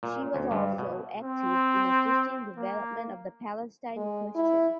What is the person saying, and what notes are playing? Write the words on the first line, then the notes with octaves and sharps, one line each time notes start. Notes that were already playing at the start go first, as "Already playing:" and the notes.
She was also active in assisting development of the Palestine question.
A#2
D2
G2
B2
C4
A#3
G#3
E4